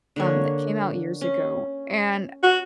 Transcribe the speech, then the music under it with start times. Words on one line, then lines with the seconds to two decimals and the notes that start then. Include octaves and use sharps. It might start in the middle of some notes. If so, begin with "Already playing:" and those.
um, that came out years ago, and,
0.16 D3 A#3 C#5
1.21 C#4
2.43 F#4